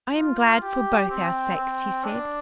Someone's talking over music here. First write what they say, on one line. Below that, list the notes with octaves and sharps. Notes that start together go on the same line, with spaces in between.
"I am glad for both our sakes," he said.
F4
G4
C4
C4
D4